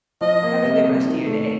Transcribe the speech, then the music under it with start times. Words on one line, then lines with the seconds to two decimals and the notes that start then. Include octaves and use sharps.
Have a good rest of your day.
0.21 F3 D#5
0.43 A#3
0.64 C3
0.85 C3
1.05 D#3
1.26 A3